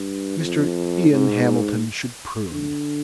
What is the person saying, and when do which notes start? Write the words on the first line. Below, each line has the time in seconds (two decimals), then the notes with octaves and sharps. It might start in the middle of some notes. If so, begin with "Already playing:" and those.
Mr. Ian Hamilton should prune.
Already playing: G2
0.39 F2
1.10 G#2
2.52 D3